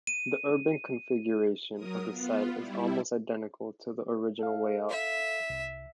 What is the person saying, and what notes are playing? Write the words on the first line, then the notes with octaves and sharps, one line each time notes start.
The urban configuration of the site is almost identical to the original layout.
D#7
F#3 A#4 D#6
B3 F4
G3 E4
A4 F5
E5
C2